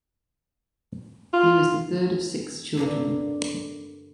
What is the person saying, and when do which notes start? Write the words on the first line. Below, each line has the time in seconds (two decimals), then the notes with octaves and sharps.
He was the third of six children.
1.34 F4
2.77 G2 D3 A#3